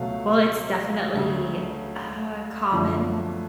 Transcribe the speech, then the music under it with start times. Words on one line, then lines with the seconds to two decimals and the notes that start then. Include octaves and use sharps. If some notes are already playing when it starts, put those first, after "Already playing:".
well, it's definitely, uh, common...
Already playing: C#2 B2 F#3 A3 F5
1.14 D2 C#3 F#3 A3
2.72 F#2 D3 F3 A3